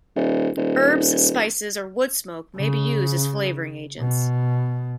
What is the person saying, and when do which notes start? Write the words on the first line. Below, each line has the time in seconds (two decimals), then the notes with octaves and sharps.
Herbs, spices, or wood smoke may be used as flavoring agents.
0.16 D#1
0.57 D#1
2.56 C#3
3.99 B2